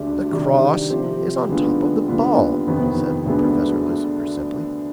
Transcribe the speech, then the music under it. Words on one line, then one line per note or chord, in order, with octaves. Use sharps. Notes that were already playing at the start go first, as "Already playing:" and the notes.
"The cross is on top of the ball," said Professor Lucifer, simply.
Already playing: D2 D3 G#3 D4 G4
C3 D#3 G3 D4 G4
C3 F3 C4 G4
D#2 D3 G#3 B3 F4
D#2 D3 G3 B3 F4
F2 C3 D#3 B3
D2 D3 G#3 B3